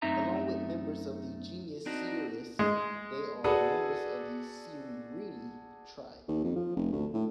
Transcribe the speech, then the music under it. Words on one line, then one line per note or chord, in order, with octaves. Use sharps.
Along with members of the genus "Sciurus", they are members of the Sciurini tribe.
F#2 A3 C4 D#4 E5 A#5
C4 D4 D#4 F#4
G#3
F#4 G#4 A4 B4 D5
D#2
F2
F3
F1
D2
A2